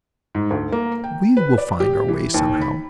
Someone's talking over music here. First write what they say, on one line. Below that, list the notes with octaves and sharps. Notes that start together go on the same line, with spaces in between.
We will find our way somehow.
G#2
D2
A#3
G5
B4
D5
G4
E3
D#2
B5